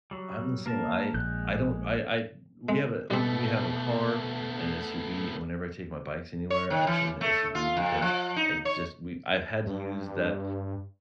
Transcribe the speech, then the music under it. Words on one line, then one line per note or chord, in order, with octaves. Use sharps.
I'm the same, I I don't I I d we have a we have a car and SUV, and whenever I take my bikes anywhere, it's an SUV, because I just we I had to use that,
F#3 G3
A#3 A#4 A5
A#1 G#3 F#6 G6
G#3
B2 G3 A3 B3 C4
C#5
D#3
E3
A3
F4
F2
F3
D#4
C#5
G2